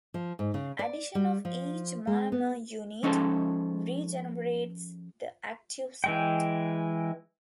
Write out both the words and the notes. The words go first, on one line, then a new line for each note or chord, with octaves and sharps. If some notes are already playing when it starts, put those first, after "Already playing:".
Addition of each monomer unit regenerates the active site.
F3
G#2
C#3
D5
G3
F3
G#3
B3
F3 G#3 C#4 D#4 A4 C5
E3 G#3 G5